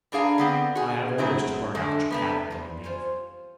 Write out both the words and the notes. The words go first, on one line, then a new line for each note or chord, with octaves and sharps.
I have orders to burn out your cabin when you leave.
G2 D4 G#4 F5 A#5
D3 B3 C4
F#4 G#4
C#3 F#3 C4 E4 G#4
D3 G#3 A3
C3 A3 B3
E2 G3 C6
F4 C5 C#5 F5 G#5